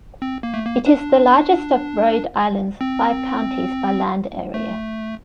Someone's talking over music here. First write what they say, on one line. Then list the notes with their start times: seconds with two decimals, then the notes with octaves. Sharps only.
It is the largest of Rhode Island's five counties by land area.
0.22 C4
0.43 A#3
0.54 A3
0.65 A#3
0.86 D4
2.81 C4
4.54 A3